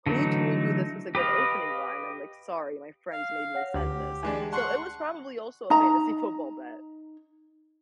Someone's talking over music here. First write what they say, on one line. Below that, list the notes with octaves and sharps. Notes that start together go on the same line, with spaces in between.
"Who told you this was a good opening line?" I'm like, "Sorry, my friends made me send this." So it was probably also a fantasy football bet.
D3 E3 F#3 A3 D#4
G4 B4 D#5 F5
F5
C#5 F#5 A#6
D2 G4
E3 G#3 D4 G#5
F#5 A5 C6 C#6 C7
D#4 A#5